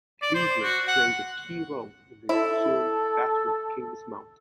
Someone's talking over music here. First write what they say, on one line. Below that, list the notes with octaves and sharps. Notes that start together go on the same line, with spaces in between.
Cleveland played a key role in the ensuing Battle of Kings Mountain.
D5
C5
F#4
F#5
E4 A4